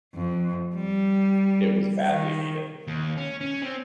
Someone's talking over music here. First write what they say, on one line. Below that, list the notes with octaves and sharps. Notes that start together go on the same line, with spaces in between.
It was badly needed.
F2
G3
D#3
D#2
C#4
C#4
C4